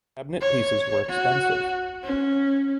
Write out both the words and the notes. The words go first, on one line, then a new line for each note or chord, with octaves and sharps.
Cabinet pieces were expensive.
C#5
F#4
C#4